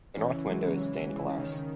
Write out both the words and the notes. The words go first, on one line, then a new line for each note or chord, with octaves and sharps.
The north window is stained glass.
E3 C#4
C#3
F#3 G#3
C#3
E3 C#4
C#3
E3 G#3
C#3
D#3 C#4
C#3